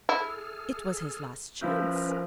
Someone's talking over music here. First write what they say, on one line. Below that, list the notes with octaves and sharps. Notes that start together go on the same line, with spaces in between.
It was his last chance.
E4 G#4 A4 F6
F3 C#4 E4 A#4 B4 G6